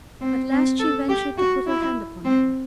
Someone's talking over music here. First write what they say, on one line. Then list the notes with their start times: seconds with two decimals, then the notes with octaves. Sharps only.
At last she ventured to put her hand upon him.
0.21 C4
0.51 C4
0.79 A4
1.08 G4
1.37 F#4
1.67 E4
2.25 C4